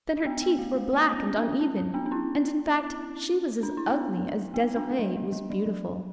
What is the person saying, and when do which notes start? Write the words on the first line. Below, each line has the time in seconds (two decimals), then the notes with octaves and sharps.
Then her teeth were black and uneven, and, in fact, she was as ugly as Desiree was beautiful.
0.25 B3 D4
0.42 B3
0.59 A3
0.77 A3
0.93 B3
1.16 C#4
1.38 B3 D4
1.61 C#4
1.77 C#4
1.94 B3 D4
2.06 D4
2.11 C#4 E4
3.63 D4
3.77 E4
3.89 B3 D4
4.54 B3
4.76 B3 D4
4.91 A3
4.99 G3
5.16 G3
5.32 G3
5.50 F#3
5.66 F#3